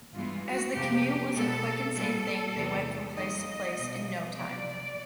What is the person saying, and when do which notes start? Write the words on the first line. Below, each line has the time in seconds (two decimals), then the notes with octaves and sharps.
As the commute was a quick and safe thing, they went from place to place in no time.
0.14 G2 E3 G#3 B3 F4
0.44 F#4
0.74 F2 C3 F3 G#3 B3 G4
1.34 B2 G#3 B3 A4
1.95 A#2 G3 B3 A4
2.55 E2 C3 E3 G#3
3.15 F2 C3 D#3 G3 A#3 D#5
3.75 B2 G3 A#3
4.34 E2 C3 F3 D5